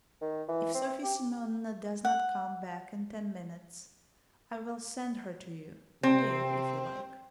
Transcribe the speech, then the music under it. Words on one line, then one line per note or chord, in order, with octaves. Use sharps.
If Sofya Semyonovna does not come back in ten minutes, I will send her to you, to-day if you like.
D#3
E3
C4
G4
F#5
C3 C4